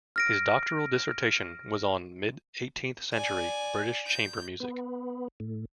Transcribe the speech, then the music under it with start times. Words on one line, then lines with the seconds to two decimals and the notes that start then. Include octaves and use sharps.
His doctoral dissertation was on mid-eighteenth-century British chamber music.
0.16 F6 A#6 D7
3.13 D5 G#5
4.08 G6
4.60 B3
5.40 A2